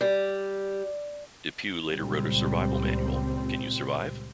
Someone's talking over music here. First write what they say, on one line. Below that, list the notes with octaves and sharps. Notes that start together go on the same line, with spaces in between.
DePugh later wrote a survival manual, Can You Survive?
G3
C#2 A#2 G3 C4